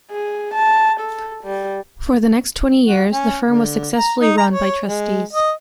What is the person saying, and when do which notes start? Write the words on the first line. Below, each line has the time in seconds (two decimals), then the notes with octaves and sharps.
For the next twenty years the firm was successfully run by trustees.
0.10 G#4
0.54 A5
1.00 A4
1.43 G3
2.87 F#4
3.12 C#4
3.47 D3
3.95 A#5
4.20 D#4
4.37 A#5
4.50 C#5
4.86 G#3
5.33 D#5